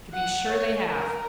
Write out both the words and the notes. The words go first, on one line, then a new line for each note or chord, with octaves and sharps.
"To be sure they have."
F#5
C#5
A#4